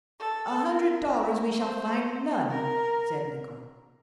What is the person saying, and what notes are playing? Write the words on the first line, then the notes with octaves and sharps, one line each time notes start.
"A hundred dollars we shall find none!" said Nicholl.
A4
A#4
A#4
C5
A#4